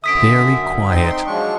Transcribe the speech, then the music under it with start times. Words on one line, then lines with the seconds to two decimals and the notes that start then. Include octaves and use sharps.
Very quiet.
0.04 F#2 D3 E5 D#6 B6 D7
0.90 C4 D#4 G5 C6
1.27 F3 F#3 G#3 D4 C#6